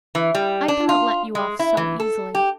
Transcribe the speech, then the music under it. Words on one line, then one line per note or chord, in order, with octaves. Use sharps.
I cannot let you off so easily.
E3
G3
D4
F4
G#3
E4
E3
A4
G4